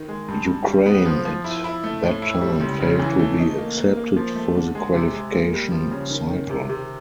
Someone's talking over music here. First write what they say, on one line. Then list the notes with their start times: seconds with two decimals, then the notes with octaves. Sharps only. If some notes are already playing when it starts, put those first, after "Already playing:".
Ukraine at that time failed to be accepted for the qualification cycle.
Already playing: D#3
0.08 G#3
0.28 G2
0.47 G2
0.67 G3
0.86 B3
1.06 F3
1.25 F3
1.44 E4
1.64 E4
1.83 A3
2.03 A2
2.22 E4
2.41 G3
2.61 C#2
2.80 C#3
2.99 E3
3.19 A3
3.39 D#4
3.58 A#3
3.78 A#3
3.97 A#3
4.16 F3
4.35 A3
4.55 D3
4.75 G#3
4.94 C3
5.13 G#3
5.33 A#3
5.53 G3
5.72 F3
5.91 C#3
6.10 D#3
6.31 D#3
6.50 C3
6.69 C3